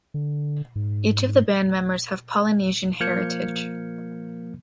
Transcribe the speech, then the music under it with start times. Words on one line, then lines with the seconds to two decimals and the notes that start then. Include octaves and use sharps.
Each of the band members have Polynesian heritage.
0.14 D3
0.75 G#2
3.00 F3 A#3 F6 G6 G#6 C#7